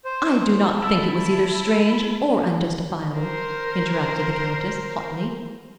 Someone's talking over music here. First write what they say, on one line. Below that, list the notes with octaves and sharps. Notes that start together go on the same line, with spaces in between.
"I do not think it was either strange or unjustifiable," interrupted the Countess, hotly.
C5
E4 A5 E6
A#4 C5